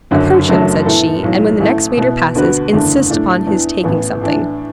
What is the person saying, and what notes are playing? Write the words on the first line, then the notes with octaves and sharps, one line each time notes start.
"Approach him," said she, "and when the next waiter passes, insist upon his taking something."
F#1 F#2 D3 F#3
F#1 F#2 F#3 A3 D4
A2 E3 B3 E4 A4
B1 A2 F#3
A1 A2 A3
B2 B3 E4 B4
D2 D3 B3 F#4 B4
F#1 E2 D3 A3 D4
A2 A3 D4
E2 E3 D4
A1 A2 E3 B3
A2 E3 D4